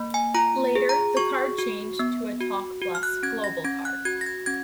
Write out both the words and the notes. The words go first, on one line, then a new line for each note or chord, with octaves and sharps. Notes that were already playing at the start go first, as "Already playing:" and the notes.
Later the card changed to a TalkPlus Global card.
Already playing: A#3
G#5
F4 A#5
G#4
A#5
F#4 C#6
F#4
B3
F#4
F#4
F6
F#6
C#4 G#6
A#6
C#4 G#6
F#6
F#4 G#6
A#6
G#6
C#4 G#6